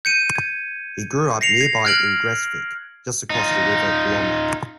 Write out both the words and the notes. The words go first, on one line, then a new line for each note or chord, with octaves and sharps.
He grew up nearby in Gressvik, just across the river Glomma.
G6 C#7 D#7
G#6
A#6 C7 C#7 F7
G#6
F6 F#6 G#6 D7 F#7
D#4 F4